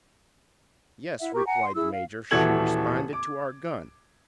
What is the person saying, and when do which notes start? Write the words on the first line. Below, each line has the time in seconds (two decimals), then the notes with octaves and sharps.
"Yes," replied the major; "she responded to our gun."
1.21 E4 E5 F#5
1.34 G4 A#4 C#6
1.47 F#5 G#5 A#5
1.63 C6
1.75 E4 G#4 E6
1.92 F5
2.31 D#1 E3 F#4 A4 G#6 F#7
3.13 D6